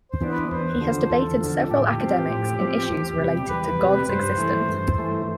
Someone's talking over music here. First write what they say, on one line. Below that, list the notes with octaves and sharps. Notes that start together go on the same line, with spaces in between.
He has debated several academics in issues related to God's existence.
C5
E3 B3 D4
B4
E2 C5
D3 F3
E2 A4
D3 F3
A2 G4
F3 C4
A2
F3 C4
E2
C3 G3
E2 B4
C3 G3
G2 C5
E3 A3
G2
E3 A3